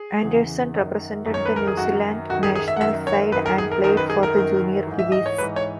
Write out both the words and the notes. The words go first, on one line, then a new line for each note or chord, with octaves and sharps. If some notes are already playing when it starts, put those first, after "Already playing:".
Anderson represented the New Zealand national side and played for the Junior Kiwis.
Already playing: G#4
E2 C#3 E3
F#2 D#3
F#2 D#3
C#5
B4
A#4
G#4
F#2 D#3 F#4
F#2 D#3 F#4
G#4
G#4
E5
F#5
F#2 D#3 E5
C#5
F#2 D#3 B4
A#4
G#4
A#4
F#2 D#3 A#4
B4
G#4
A#4
F#2 D#3
G#2 E3
E5
D#5
C#5
G#2 E3 B4
C#5